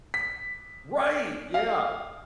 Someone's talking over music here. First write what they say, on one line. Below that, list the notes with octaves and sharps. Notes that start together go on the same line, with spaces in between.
Right! Yeah.
B6
F5